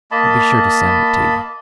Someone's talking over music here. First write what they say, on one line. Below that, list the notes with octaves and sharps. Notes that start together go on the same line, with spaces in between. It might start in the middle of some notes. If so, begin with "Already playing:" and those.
I'll be sure to send it to you.
A#3 D#5 A5 B5